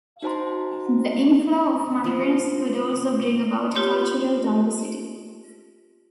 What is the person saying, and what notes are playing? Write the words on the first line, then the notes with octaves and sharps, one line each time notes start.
The inflow of migrants could also bring about cultural diversity.
D#4 F#4 C5 A5 A#5 C6
F3
F4 G4 C#5 C6